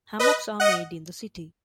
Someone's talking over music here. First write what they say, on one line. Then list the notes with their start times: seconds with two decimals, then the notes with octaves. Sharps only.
Hammocks are made in the city.
0.19 B4 D#5
0.60 D#5 F#5